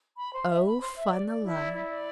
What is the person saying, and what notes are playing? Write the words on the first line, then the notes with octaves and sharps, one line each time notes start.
Oh, fun alive!
B5
C5
E5
B5
C5
E5
D5
D5
E4
D5
E4
D5